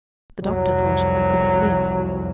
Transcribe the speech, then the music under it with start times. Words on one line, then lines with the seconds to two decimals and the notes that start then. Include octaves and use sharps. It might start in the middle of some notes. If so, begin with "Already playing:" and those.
The doctor thought I could not live.
0.44 C2 F2 F#3